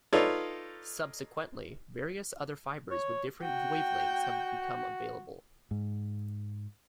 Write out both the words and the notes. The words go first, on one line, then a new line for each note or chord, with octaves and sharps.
Subsequently, various other fibers with different wavelengths have become available.
D#4 F4 A4 B4 C#5 D5
C#5
F#4 G5
G#2